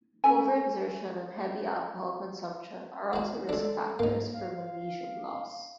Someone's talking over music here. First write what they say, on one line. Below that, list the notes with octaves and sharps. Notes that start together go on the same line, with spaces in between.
Over-exertion and heavy alcohol consumption are also risk factors for magnesium loss.
C#4 A4 G#5
G#3 F#4
G#3 D4 A4
G#2 A#3 D#4
F5